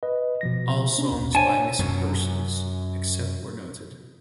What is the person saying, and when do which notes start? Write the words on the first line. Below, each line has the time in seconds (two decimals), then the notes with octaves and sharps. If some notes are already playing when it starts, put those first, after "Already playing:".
All songs by Missing Persons, except where noted.
0.03 B4 D#5
0.41 B2 F3 A#6
0.98 B3 C#4 D4
1.11 G#1 D#2
1.35 D4 C5 C#5 G#5 A5
1.79 F#2 F#3